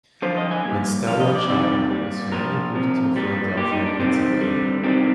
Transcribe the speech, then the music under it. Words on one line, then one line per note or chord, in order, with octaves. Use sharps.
When still a child, his family moved to Philadelphia, Pennsylvania.
D3 F3 C5
D#5
G#5
A#2 G3
A#2 F3 F5
D#5
D5
C3 D#3 G3
A#2 G3
A#2 F3 A#4
C3 F3
A#2 G3
A#2 G3 G4
D#4
D4
C3 D#3 G3 C4
D3 G3
C3 D#3 G3 C4